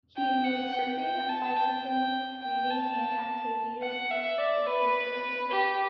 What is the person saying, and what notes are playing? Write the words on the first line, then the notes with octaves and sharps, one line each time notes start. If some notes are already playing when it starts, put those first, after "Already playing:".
He enjoyed surfing, bicycling, reading and activities with his family.
G5
F#5
G5
G5
A5
G5
G5
G5
A5
F#5
E5
D5
B4
G4